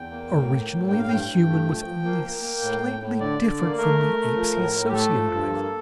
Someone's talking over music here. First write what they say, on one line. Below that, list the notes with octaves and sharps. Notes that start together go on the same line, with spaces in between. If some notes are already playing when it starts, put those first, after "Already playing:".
Originally the human was only slightly different from the apes he associated with.
Already playing: E2 G5
A#3
A2
A#3
A2
G2 G5
F5
G2 G5
G2
A3
F3
F3
A#3
A#3
A#3
A2
A2
A2
D3 D5
D3
A#3
A3 A#4
A3
A3
F3
A2
A2
G4
A3 A4
F3
G2
A#3